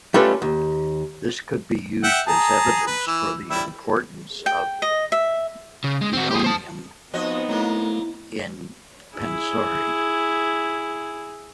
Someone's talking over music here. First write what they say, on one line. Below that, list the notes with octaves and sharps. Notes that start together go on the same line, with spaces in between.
This could be used as evidence for the importance of "deoneum" in "pansori".
G3 A3 C#4 F4 A4 B4
D#2
E5 F#5 G5
G#4 A5 A#5
B4
E3 E6
G3 E4 E5
G5
D#5
E5
C#3
G#3
C4 F#4
G4 G#4
C5 A5
F3 B3 C4 D#4 F#4 D#5
F#3 A3 A#3 E4
E4 G#4